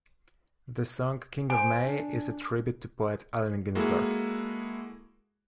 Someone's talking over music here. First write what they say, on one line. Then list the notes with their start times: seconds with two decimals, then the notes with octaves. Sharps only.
The song "King of May" is a tribute to poet Allen Ginsberg.
1.50 C5 G#5
1.86 D4
3.75 G#3 A#3 E4 F#4 G#4 A4